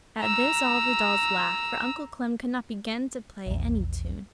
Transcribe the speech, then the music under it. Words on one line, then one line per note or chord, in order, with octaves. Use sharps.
At this all the dolls laughed, for Uncle Clem could not begin to play any tune.
A#5 E6
A#1 E2